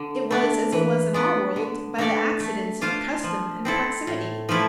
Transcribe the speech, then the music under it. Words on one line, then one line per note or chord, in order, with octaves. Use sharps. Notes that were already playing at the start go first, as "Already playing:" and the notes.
It was as it was in our world, by the accidents of custom and proximity.
Already playing: D3 D4
A3 D4
E3
B3 D4
D3
A3 D4 A4 D5
A3
D4 F4 C5 F5
F3
C4 E4 A4
A2
F3 A3 E4